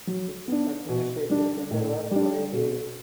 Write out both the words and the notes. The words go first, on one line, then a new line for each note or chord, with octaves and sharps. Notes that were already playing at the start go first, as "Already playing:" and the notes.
Its administrative centre was Orhei.
F#3
B3 D4
B2
G3 D4
A2
G3 D4
B2